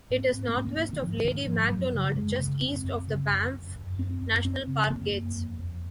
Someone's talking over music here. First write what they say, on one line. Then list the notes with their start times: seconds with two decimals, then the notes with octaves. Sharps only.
It is northwest of Lady Macdonald, just east of the Banff National Park gates.
0.10 G#2
0.18 C4
0.33 G#2
0.49 A#3
0.56 G#2 C4
0.65 A#3
0.79 G#2
0.93 D#3
1.01 G#2 F3
1.25 G#2 D#3
1.47 G#2 F3
1.70 F#2 F#3
1.93 C#3
2.16 F#2 G#3
2.39 C#3
2.62 F#2 C4
2.84 F#2
3.07 C#3
3.30 F#2
3.52 F#2
3.76 F#2
3.98 F#2 C4
4.22 F#2
4.44 F#2 C4
4.67 C#3
4.90 F#2 A#3
5.12 F#2
5.36 F2
5.59 F2